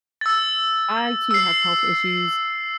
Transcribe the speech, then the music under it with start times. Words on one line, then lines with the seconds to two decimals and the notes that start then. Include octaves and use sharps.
I, too, have health issues,
0.21 E6 A6
1.31 E6 C7